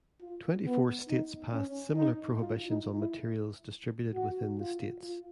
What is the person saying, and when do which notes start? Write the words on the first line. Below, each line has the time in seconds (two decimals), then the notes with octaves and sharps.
Twenty-four states passed similar prohibitions on materials distributed within the states.
0.22 F4
0.66 B3
1.09 D#4
1.53 C#4
1.96 D#4
2.41 F4
2.69 D#4
2.98 E4
4.14 F#4
4.59 F4
5.02 F4